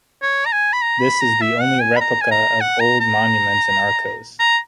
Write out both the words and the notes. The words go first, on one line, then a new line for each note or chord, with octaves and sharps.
This is the only replica of old monuments in Arcos.
C#5
A#5
G#5
B5
A#5
B5
A#5
E5
F#5
G#5
B5
A#5
G#5
A#5
F#5
A#5
A#5
A#5